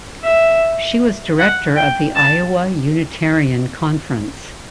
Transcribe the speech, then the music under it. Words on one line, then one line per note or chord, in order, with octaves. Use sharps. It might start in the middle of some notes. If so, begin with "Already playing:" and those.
She was director of the Iowa Unitarian Conference.
E5
F#5
G5
A5